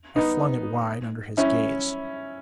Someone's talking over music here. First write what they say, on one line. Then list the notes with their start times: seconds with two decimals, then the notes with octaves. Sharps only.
I flung it wide under his gaze.
0.16 B3 D#4
1.37 C#4 E4